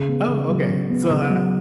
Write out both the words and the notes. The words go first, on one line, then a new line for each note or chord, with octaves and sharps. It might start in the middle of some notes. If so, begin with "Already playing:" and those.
Oh, okay, so, uh
Already playing: C#3
B3
C#3
F#3
C#3
B3
C#3
F#3